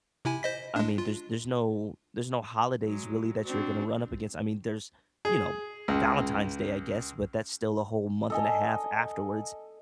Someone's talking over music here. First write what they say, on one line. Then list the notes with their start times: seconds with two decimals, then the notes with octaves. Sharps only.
I mean, there's there's no there's no holidays really that you're gonna run up against, I mean, there's, you know, Valentine's Day, I guess, but that's still a whole month and a half afterwards,
0.25 C3 E4 G#5
0.43 C5 D#5 B6
0.76 G#3 D4
0.98 F4
2.84 F#3 G#3
3.45 C4 D4 F#4
5.25 G#4
5.88 C#2
8.30 A4 D#5 G#5